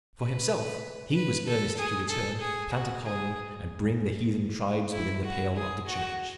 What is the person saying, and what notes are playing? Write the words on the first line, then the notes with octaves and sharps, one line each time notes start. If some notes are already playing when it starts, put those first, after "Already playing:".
For himself, he was earnest to return, plant a colony, and bring the heathen tribes within the pale of the Church.
B4
B4
A4
G#4
A4
G#4
F#4
G#4
E4
F#4
G#4
F#4